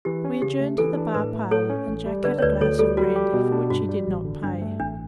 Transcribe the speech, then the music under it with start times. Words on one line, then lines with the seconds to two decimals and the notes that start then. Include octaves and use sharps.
We adjourned to the bar parlour, and Jack had a glass of brandy, for which he did not pay.
0.05 E3 G4
0.25 C#4
0.42 C#3 G4
0.60 A3
0.78 E3 A4
0.97 D4
1.14 A2 B4
1.33 A3
1.51 A2 A4 C#5
1.70 C#4
1.88 A1
2.06 G3
2.24 D3 B4 D5
2.39 C#5
2.42 D2 B4 D5
2.60 D2 A4 C#5
2.79 G3 A4
2.97 G3 F#4
3.16 G4
3.33 B2
3.52 D4
3.70 G2 F#4
3.89 G3
4.07 A1
4.25 D3
4.44 G2 D4
4.62 A3
4.79 A1 D4